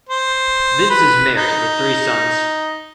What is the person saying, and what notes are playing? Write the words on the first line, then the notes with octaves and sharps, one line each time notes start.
Vince is married with three sons.
C5
B4
D#4